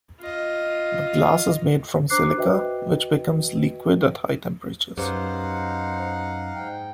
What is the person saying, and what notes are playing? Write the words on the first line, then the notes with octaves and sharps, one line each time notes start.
The glass is made from silica, which becomes liquid at high temperatures.
F4 D#5
D4 C5 A#5 D6 F#6 C7
F#4 B4 D#5 E5 G5
F#2 D#4 G4 B4 C5 F5 F#5 D6
G#2 G5